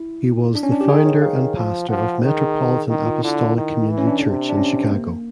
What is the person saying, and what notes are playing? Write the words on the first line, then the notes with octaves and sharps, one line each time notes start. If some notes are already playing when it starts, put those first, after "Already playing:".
He was the founder and pastor of Metropolitan Apostolic Community Church in Chicago.
Already playing: E4
D4
C#4
D4
G4
D#3 G#4
C#5
D#3 F5
F3
F3 F#5
C5
D#3 G#4
G#4
D#3
F4
D3 E4
D#3
E3
C#4
D4
C3
D4
C#4
A#3